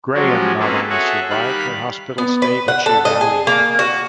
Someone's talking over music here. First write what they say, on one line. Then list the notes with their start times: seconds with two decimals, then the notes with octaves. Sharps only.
Graham not only survived her hospital stay, but she rallied.
0.14 F3 F#3 G#3 C#4 F#4 G4
0.59 A#3 C4 C#4 G#4 A4 B4
0.89 F#4 G#4 A4 C#5 E5 F#5
1.30 D#3 G3 F5 B5 F#6
2.18 B3
2.42 B4
2.68 F#5
2.86 A4
3.05 D#5
3.21 G#4
3.47 A#3
3.79 F#4